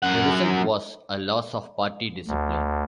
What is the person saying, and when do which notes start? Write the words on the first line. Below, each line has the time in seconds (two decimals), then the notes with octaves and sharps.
The result was a loss of party discipline.
0.03 F#2 F#5
2.28 D2